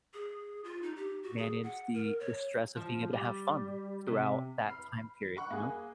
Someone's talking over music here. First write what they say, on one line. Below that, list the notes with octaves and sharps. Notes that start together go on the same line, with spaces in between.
manage the the stress of being able to have fun throughout that time period, you know?
G#4
F4
D#4
G4
F#4
G#4
F#5
A#4
C#5
F3
G3
C3
B5 F6 C7
F#5 B5 C#6 F#6
A#3 G#4